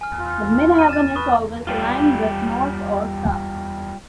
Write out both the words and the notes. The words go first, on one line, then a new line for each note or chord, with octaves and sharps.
The Midheaven is always aligned with north or south.
G#5 F6
F4
F6 D#7
A6 E7
B4 C#6 D#6
G3 F4